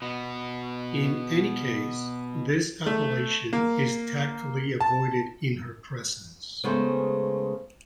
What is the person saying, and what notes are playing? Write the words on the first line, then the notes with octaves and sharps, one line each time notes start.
In any case, this appellation is tactfully avoided in her presence.
B2 B3
A3
A#3
A5
C#3 G#3 A3 B3 C5